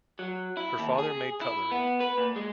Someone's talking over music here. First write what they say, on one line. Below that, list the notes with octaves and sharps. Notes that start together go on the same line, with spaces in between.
Her father made cutlery.
F#3
E4
D#2
G#4
E4
B3
B4
A#2
G#3